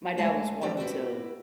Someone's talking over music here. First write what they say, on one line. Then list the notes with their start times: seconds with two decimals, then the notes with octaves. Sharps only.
my dad was one to
0.18 D2 G#3 C#5 G#5 A5
0.61 E3 F3 C4 G4 D5
0.77 E4 F#4 G4 B4